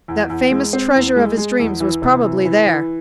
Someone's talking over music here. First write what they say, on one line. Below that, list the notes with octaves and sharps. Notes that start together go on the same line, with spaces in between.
That famous treasure of his dreams was probably there.
E2
E2
G#3
C4
E2
G#3
G#3
E2
E3
C3
E3
E3
E3